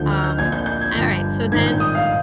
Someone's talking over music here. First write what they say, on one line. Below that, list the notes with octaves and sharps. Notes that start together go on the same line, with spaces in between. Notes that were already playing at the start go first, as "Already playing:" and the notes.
Um, an all right, so then
Already playing: D2 D3 F3 G6
F6
G6
A#1 A#2 F3 G#6
G6
G6
G#6
G1 G2 F3
A#1 G#2 D#3 G#6
G6
D#6
F5